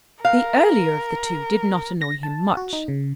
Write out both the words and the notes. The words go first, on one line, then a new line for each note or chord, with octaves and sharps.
The earlier of the two did not annoy him much.
A#4 F5
A#6
A5
F#4
D#4
C#3